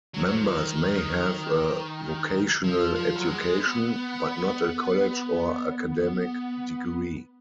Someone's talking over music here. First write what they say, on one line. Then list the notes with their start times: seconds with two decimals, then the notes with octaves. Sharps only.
Members may have a vocational education, but not a college or academic degree.
0.14 F#3
0.25 F#3
0.35 F3
0.46 D#3
2.64 F3
2.95 F3
3.15 F#3
3.26 G#3
3.58 B3